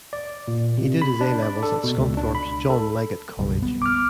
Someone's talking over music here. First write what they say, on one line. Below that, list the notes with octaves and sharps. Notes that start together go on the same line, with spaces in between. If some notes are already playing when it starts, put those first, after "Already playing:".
He did his A levels at Scunthorpe's John Leggott College.
D5
A#2
C3
B5
D4
D5
A4
B2
C#2
D4
B5
A4
F#1 B1 G3
B3
D6 F6